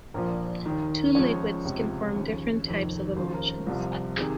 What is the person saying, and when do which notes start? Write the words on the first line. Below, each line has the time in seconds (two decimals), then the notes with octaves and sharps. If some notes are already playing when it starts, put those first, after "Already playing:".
Two liquids can form different types of emulsions.
0.14 A#1 A#2 F3 A#4
0.66 D#2 D#3
1.15 C#2 C#3 F3 C#5
1.65 C#2 C3 F3
2.16 D#2 C#3 F3
2.66 F1 F2 D#3
3.16 D#2 C#3 F3 C5
3.34 A#4
3.50 A#4
3.67 C2 C3 F3
4.17 C3 D#3 G#4